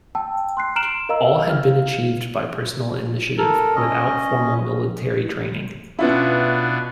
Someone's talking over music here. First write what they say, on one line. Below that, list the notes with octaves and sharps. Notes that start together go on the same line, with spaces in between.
All had been achieved by personal initiative, without formal military training.
G5 A5 E6
C6 F#6 C7
A#5 F6 D7 E7 F#7
A#4 D#5 F5 A#5 E6
F5 F6
A4 A#4
C#4 D#5
B2 B3 C#4 D4 E4 F4